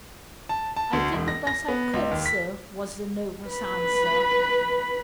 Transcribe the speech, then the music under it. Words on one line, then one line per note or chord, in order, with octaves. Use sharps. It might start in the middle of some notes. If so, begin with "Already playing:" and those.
"I did the best I could, sir," was the nervous answer.
A5
A5
D2
E1
A#6
A#6
B3
C#2
D#2
B6
B4 B5